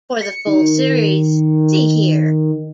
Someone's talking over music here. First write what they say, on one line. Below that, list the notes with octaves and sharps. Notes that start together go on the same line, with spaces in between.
For the full series, see here.
C#7
D#3